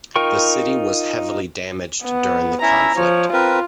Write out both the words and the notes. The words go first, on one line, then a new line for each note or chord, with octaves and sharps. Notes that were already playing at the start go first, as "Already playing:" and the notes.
The city was heavily damaged during the conflict.
D#4 F4 A#4 G5 C#6
B3
C#4 E4 E5 A#5
F3 C#5
C4 F4 A#4 B4